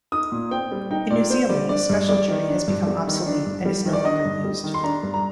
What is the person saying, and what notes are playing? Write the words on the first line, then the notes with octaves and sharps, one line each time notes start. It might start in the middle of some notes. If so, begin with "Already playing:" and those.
In New Zealand, the special jury has become obsolete and is no longer used.
D#4 D#6
A#2
C4 G5
G3
D#4 G5
A#2 D5
C4 C5
G3 D5
D4 D5
G2
G3 D5
D#3
D4
G2
G3
D#3
D4
G2
G3
D#3
D5
D4 D#5
G2
G3
D#3
C6
D4 A#5
G2
A#5